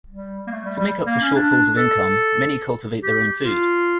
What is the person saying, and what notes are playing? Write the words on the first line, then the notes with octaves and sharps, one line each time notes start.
To make up for shortfalls of income, many cultivate their own food.
G3
A#3
A3
G3
G3
A#3
C#4
D4
A4
G4
F4